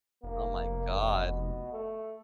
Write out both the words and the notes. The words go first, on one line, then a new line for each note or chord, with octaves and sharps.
Oh my god.
F1 A#3
B2
A3